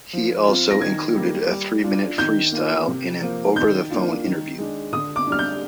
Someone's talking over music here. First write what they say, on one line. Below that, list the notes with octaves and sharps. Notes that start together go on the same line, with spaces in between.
He also included a three-minute freestyle in an over the phone interview.
F3
C4 F4
A#6
D#3 G#6
G3 A#3
G3
D4 F4
D#3 G6
A#3 F4
C3
F3 A#3
D#3 G6
A#3 D4 F4
D#3
G#3 D4
D3 D#6
D6
G3 D4 F6
G6